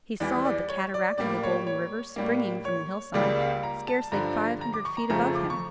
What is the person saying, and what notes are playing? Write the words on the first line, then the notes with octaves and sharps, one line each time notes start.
He saw the cataract of the Golden River springing from the hillside, scarcely five hundred feet above him.
E2 E3 G3 D5
D5
C#5
D5
A2 G3 A#3 D5
C#5
C#5
A2 G3 A#3
C#5
C#2 C#3 G3 A#3 D5
F5
A#5
A5
G2 D3 F3 A#5
A#5
D6
C#6
A#5
F2 C#3 F3 A3 A#5
D6
C#6